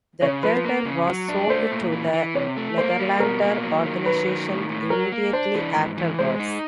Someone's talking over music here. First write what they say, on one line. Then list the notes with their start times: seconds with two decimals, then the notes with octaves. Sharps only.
The theatre was sold to the Nederlander Organization immediately afterwards.
0.22 C#3 C#5
0.43 F3 B4
0.65 A#3
0.85 C#3
1.07 F#3
1.29 D4
1.50 A3 C5
1.71 A#2
1.92 E3
2.14 E3
2.35 C3 C#5
2.57 A3
2.78 A#3 C5
2.99 G3
3.20 B2 A#4
3.41 A#3
3.63 F#3
3.84 D#3
4.05 F#3 B4
4.27 D#3
4.48 A2
4.70 A2
4.90 F#3 A#4
5.12 A#3
5.33 D4 C5
5.55 E3
5.76 G#2
5.97 E3
6.19 G#3 C5
6.39 D#4